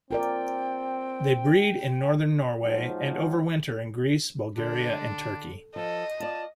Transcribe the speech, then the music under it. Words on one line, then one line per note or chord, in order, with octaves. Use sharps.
They breed in Northern Norway and overwinter in Greece, Bulgaria and Turkey.
C4 F4 A#4 D5 G5
G#2 F3 F#3
D3 D4
F3 A4 D#5
F4 D5 A5